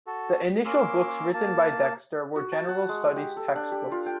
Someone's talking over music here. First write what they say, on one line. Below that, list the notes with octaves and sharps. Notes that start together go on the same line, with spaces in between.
The initial books written by Dexter were general studies text books.
F#4 A4
A#3 C#4 A#4 C6 D6 E6
A#3 A5
F#4
A5
F#5
G#3
G4
A4
D4
G4
F4
G5